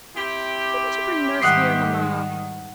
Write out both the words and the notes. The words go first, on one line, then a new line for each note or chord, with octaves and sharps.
Couldn't you bring nurse here, mamma?
C4 E4 G4
G#2 D#3 G3 F#5 D#6 C7